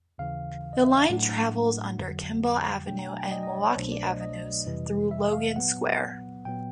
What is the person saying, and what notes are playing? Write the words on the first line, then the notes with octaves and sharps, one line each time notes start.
The line travels under Kimball Avenue and Milwaukee Avenues through Logan Square.
D#2 C#3 E3 F5
D#5
E5
F5
A2 F#3 A3 D4 F#5
F2 D3 F#3
B2 F#3 A3 D4 G5
A#5
G#5
G5
D5
D#5
D#5
C#5
D5
C#5
C2 B2 F#3 A3 D4 C5
D5
D#5
D#5
F2 C3 E3 G3
E5
F5
A#2 F#3 B3 F#5
A#2 F#3 B3 G5